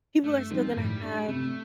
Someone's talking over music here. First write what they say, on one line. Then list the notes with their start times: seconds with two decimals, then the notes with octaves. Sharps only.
people are still gonna have
0.24 G2 A3
0.50 D#3 F3 G3 C4 D#4
0.76 A2 G3
1.03 A3 D4
1.28 C3 A3